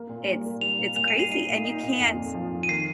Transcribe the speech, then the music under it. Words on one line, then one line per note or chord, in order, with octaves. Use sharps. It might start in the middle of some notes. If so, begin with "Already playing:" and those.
it's it's crazy, and you can't
Already playing: A#3
A#2
G3
A#3
G3 F7
A#2
A#2 F7
D#7
G3
C7
D#4 D#7
A#2
D#4
A#2
F2
F2
F3
F3
D#7
D#3 C7